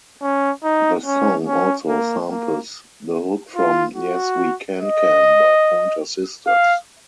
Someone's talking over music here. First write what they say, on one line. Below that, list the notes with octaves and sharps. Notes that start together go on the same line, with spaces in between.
The song also samples the hook from "Yes We Can Can" by Pointer Sisters.
C#4
D#4
C#4
C#4
A#3
A#3
F4
F#4
D#5
F5